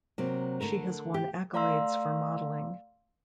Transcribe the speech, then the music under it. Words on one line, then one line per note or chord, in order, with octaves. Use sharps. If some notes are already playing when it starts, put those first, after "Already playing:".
She has won accolades for modelling.
C3 F#3 A#3
D3 A3 A#4
G4
A3 D5 F5 A#5 C6 E6